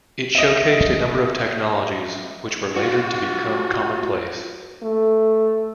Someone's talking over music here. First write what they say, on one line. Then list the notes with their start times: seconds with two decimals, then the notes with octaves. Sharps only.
It showcased a number of technologies which were later to become commonplace.
0.35 D#5 E5
2.76 F4 F#4
4.83 A3